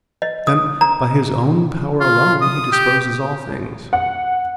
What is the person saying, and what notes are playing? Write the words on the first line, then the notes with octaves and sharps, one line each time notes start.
'Then, by His own power alone He disposes all things.'
D#5
D#6
A#5
F4
D#6
G4
F#5